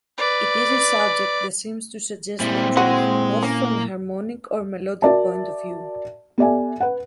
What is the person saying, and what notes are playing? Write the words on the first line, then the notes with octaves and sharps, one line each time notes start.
It is a subject that seems to suggest the truth, both from a harmonic or melodic point of view.
B4 D5
A#2 G3 G#3 C4 E4
G#3 F#4
A#3 C#4
F#4 A#4 D5 E5 A5
B3 G4 A4 D5 E5 G#5
B4 F#5